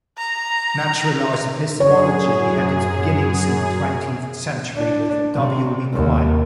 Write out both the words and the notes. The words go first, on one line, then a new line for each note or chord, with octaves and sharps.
Naturalized epistemology had its beginnings in the twentieth century with W. V. Quine.
A#5
F#2 G#4 C#5
D4
C3
D#2